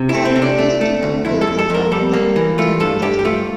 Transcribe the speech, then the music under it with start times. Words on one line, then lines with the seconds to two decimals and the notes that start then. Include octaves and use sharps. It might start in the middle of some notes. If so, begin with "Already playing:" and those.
However, refusing to admit her feelings after everything that happened, Toni rejects Michael.
Already playing: C3
0.09 E4
0.14 A3
0.25 C4
0.36 C3
0.42 D4
0.58 A3
0.81 A3
1.03 D2
1.25 F2 E4
1.41 A4
1.47 F2
1.59 A4
1.70 F2 A#4
1.92 G3 A4
2.13 A#3
2.36 E3
2.58 A3 F4
2.80 G2 A4
3.02 G2 G4
3.19 G4
3.25 A3 F4